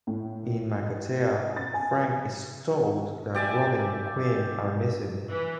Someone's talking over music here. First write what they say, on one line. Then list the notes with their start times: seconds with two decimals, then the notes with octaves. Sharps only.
In Makatea, Frank is told that Robin and Quinn are missing.
0.07 A2
1.56 A6
1.74 G#5
3.34 G4 D5 E5 G#5
5.29 E3